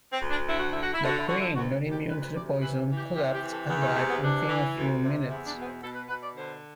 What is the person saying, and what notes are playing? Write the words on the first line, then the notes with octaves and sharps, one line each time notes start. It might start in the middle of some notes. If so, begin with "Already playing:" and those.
The queen not immune to the poison collapsed and died within a few minutes.
C4
D2
D4
D3 E4
F#4
D3 E4
F#4
E4
D3 F#4
E4
D3 F#4
E4
D2 F#4
D2
G4
D2 B4
B4
C3 D5
E3 B4
E3
G4
C3 G4
G4
E3
A4
E2 B3
A3
C3 A3
B3
E3 D4
E3
D2
C3
E2 E4
D4
B2
B3
C4
B2 A4
B4
B2 B4
D5
D3 C5